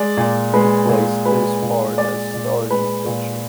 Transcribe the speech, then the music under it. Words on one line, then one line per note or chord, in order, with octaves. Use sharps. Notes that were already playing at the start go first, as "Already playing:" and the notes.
He plays this part as starting pitcher.
Already playing: G#3 D5
A#2
G#3 B4
A#2
G#3 B4
A#2
G#3 D5
A#2
G#3 B4
A#2